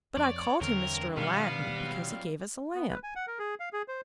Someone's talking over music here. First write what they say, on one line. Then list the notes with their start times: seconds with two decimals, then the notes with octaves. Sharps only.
But I called him Mr. Aladdin because he gave us a lamp.
0.17 F2 C#5 D5
0.61 E2 G2 D3 C4 A#4
1.17 B2 D#3 G3 B3 F5
1.77 F#3 C4
2.75 B3
2.90 B4
3.04 G#5
3.16 F#5
3.27 A#4
3.39 G#4
3.60 F5
3.73 G#4
3.88 C5